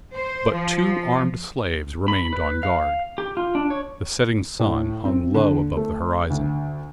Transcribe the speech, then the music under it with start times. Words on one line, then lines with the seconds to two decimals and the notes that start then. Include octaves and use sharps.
But two armed slaves remained on guard. The setting sun hung low above the horizon.
0.14 C5
0.52 F3
2.08 B5
2.33 B4
2.63 F5
3.18 G4
3.37 F4
3.55 D4
3.70 C#5
4.59 A2
5.05 C4
5.34 D3
5.77 A3
6.30 D2